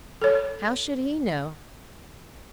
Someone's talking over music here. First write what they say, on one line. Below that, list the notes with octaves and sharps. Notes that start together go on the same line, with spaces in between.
'How should he know?
A4 C#5